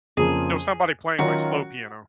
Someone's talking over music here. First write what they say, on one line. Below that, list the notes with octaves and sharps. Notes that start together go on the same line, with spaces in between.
know, somebody playing, like, slow piano.
F2 C#3 F3 A#3 G#4
D#3 F#3 C#4 F4 F#4